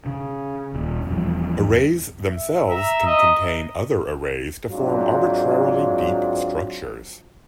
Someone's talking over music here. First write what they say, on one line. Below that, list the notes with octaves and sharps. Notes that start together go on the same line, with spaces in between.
Arrays themselves can contain other arrays to form arbitrarily deep structures.
C#3
D#1
E1 E2 F3 G3
E5
E5 A#5
D#5 A#5
G#2 F#3 C4 D4 F4